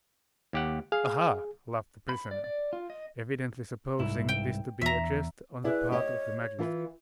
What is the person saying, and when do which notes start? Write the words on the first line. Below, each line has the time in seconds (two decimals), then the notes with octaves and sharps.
"Ah, ha!" laughed the prisoner, evidently supposing this to be a jest on the part of the magistrate.
0.53 D#2 G4 F#5
0.92 G#4 F5
2.09 B5
2.31 D5
2.44 D5
2.73 F4
2.90 D#5
3.99 C2 G#2 E4
4.29 G5
4.81 E2 E5 A#5
5.64 E4 G#4 B4 D5
5.92 G4 C#5 D#5
6.59 E3 F4 B4